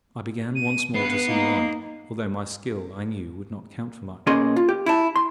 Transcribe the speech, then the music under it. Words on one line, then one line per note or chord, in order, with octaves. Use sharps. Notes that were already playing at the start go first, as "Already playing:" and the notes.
I began once more to see light, although my skill, I knew, would not count for much.
D#7
G2 B3 C7
A#3 D#4
B2 A#3 C#4 G#4 D#5 C6
F4
G4
E4 A5
C6